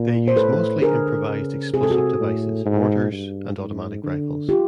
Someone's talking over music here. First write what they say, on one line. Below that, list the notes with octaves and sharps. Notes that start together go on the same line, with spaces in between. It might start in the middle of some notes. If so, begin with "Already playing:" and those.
They use mostly improvised explosive devices, mortars, and automatic rifles.
Already playing: A#2
C5
A2 A4 B4
D3 G#4 A#4
C#3
C3 G#4
A4
F#4 G#4
A2
G#2
G2
G#2
D3
F4 G4